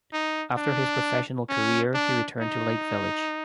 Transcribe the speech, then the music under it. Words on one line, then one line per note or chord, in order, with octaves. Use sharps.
After his professional career he returned to Lake Village.
D#4
D4
C#4
D4
D#4